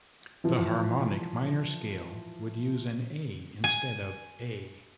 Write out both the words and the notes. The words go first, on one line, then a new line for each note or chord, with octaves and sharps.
The harmonic minor scale would use an A instead of A.
E3 F3
G#5